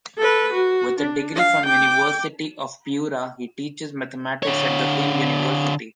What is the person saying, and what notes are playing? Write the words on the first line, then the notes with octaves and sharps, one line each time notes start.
With a degree from the University of Piura, he teaches mathematics at the same university.
A4 B4
F#4
D4
F5
G5 D6
D3 C#5